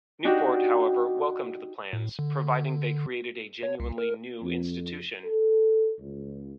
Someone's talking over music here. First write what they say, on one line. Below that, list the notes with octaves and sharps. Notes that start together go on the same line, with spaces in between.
Newport however, welcomed the plans, providing they created a genuinely new institution.
D4 D#4 F#4 G4
A2
D3
C#5
C2
A#4
F2
A4
C#2